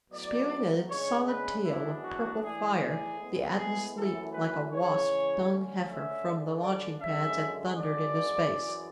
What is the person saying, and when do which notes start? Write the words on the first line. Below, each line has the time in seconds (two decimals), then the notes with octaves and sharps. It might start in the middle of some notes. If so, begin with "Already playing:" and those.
Spewing a solid tail of purple fire, the Atlas leaped like a wasp-stung heifer from the launching pads and thundered into space.
0.11 A2 F#3 B3 D5
0.88 C#3 G#3 D4 C#5
1.26 B4
1.65 F#2 E3 G#3 B3 D4 E4
2.03 F#4
2.41 A2 E3 A3 D4 G#4
2.79 G#4
3.18 A2 G#3 B3
3.56 G#4
3.94 F#2 E3 A3 A4
4.33 B4
4.71 C#3 E3 G#3 C#5
5.48 D3 A3 C#4
5.86 E5
6.25 D3 G#3 D4
6.62 D5
7.00 F#2 D3 G#3 C#4 E5
7.77 F#2 D3 G#3 D4 D5
8.54 F#2 E3 G#3